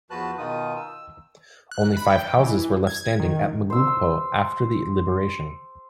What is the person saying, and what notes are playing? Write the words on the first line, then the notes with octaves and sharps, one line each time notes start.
Only five houses were left standing at Magugpo after the liberation.
E2 F3 F#4 B4 A5 F#6
B2 D#3 D#4 F4 D#6
E6
F#6
B5
G5
E3
G#6
D#3
C5 E6